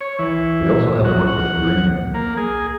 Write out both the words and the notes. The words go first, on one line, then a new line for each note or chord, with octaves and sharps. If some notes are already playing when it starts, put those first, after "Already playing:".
They also had to work with uranium.
C#5
E3
F#4
F#5
A#3
G#4